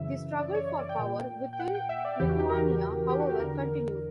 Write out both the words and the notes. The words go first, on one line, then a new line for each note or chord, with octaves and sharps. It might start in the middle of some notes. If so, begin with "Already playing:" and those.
The struggle for power within Lithuania however continued.
Already playing: F#2 C#3 E3 E5
D5
C#5
C#5
D5
G5
A#2
G5
F#5
G5
E5
D5
E2 C#3 E3 G4
F#4
G4
A#4
G4
F#4
G4
E2 D3 A#4